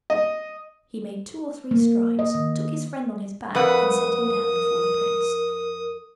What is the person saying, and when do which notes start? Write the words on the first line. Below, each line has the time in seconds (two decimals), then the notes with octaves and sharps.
He made two or three strides, took his friend on his back, and set him down before the prince.
0.10 D#5
1.71 A#3
2.19 D#5
2.35 D#3
3.55 F2 A#4 B4 F#5 D#6